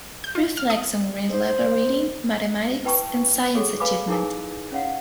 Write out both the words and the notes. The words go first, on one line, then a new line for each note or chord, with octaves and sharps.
Reflects on grade level reading, mathematics and science achievement.
G6
F4
F6
D#6
C5
E4 B4 G5 A5 C6 C#6
F#4 G#4 A4 C#5
B4 F5 G#5 B5 D6
D#4 E4 G#4 A#4 G#5 D6
C#4 C#5 F5 F#5